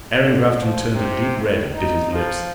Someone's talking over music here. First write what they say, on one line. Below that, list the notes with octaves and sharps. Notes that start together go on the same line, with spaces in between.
Aaron Grafton turned a deep red and bit his lips.
D3
F3
C3
A2
D#4
F3